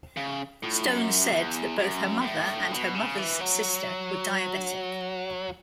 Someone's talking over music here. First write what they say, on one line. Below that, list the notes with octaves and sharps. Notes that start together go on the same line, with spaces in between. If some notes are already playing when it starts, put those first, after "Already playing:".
Stone said that both her mother and her mother's sister were diabetic.
C#3
A2
F#2
E2
F#2
F#2
A2
B2
C#3
E3
F#3